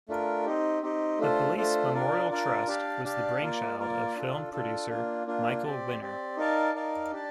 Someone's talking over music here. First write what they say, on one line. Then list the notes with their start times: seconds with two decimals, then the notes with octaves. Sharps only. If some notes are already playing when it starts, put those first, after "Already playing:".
The Police Memorial Trust was the brainchild of film producer Michael Winner.
0.09 A3 D4 F4 A#4
0.46 C4 D#4 G4
0.83 C4 D#4 G4
1.19 A3 D4 F4 A4 C5
1.57 A3 D4 F4 A4 C5
1.94 D4 F4 A#4 D5
2.30 D4 F4 A#4 D5
2.67 D4 G4 D5 F5 A5
3.04 D4 G4 D5 F5 A5
3.41 A#3 F4 A#4 D5
3.79 A#3 F4 A#4 D5
4.16 D4 F4 A4
4.52 D4 F4 A4
4.90 A#3 D4 F4
5.27 A#3 D4 F4
5.64 C4 G4 D5
6.01 C4 G4 D5
6.37 D#4 A#4 D5 F5 A5
6.75 D#4 A#4 D5 F5 A5
7.12 D4 G4 D5 A5